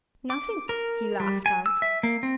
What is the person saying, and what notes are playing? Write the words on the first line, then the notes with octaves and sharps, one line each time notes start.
"Nothink!" he laughed out.
D6
A#4
G3
G#5
E6
E5
A#3
C4